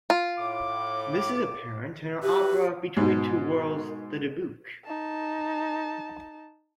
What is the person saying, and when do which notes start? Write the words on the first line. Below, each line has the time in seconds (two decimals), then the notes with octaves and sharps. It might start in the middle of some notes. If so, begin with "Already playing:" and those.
This is apparent in her opera Between Two Worlds-The Dybbuk.
0.10 F4
0.38 A2 D6
2.23 E4 F#4 G4 B4
2.97 G#2 B2
4.85 D#4 A5